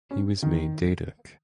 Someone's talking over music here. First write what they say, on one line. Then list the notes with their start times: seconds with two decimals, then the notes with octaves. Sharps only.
He was made Datuk.
0.11 C#4
0.42 D#3